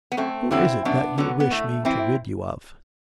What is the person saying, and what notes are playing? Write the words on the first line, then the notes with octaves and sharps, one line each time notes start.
Who is it that you wish me to rid you of?'
B3
F#2 A3 C4
D3 F#3 C4 E4
F#2 B3 D4
D3 F#3 B3
B3
A2 A3
E3 C4 E4